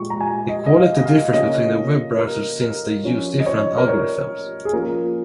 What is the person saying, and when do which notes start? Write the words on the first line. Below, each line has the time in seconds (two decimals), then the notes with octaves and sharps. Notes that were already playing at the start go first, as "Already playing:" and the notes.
The quality differs between the web browsers since they use different algorithms.
Already playing: A#2 G#3 F4 C#6
0.10 A#5
0.21 G#5
0.49 D#5
0.66 D#5
0.77 F5
0.97 D#5
1.05 F5
1.33 C#3 A#3 C#4 F4 D#5
2.18 A#4
2.61 A#4
3.04 F3 C#4 F4
3.40 D#5
3.46 C#5
3.77 A#4
3.88 C#5
4.65 G#4
4.73 F3 A#3 C#4 F4 A#4